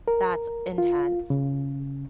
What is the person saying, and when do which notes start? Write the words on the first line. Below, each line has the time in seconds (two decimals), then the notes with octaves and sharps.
That's intense.
0.08 A#4
0.78 F4
1.30 C#3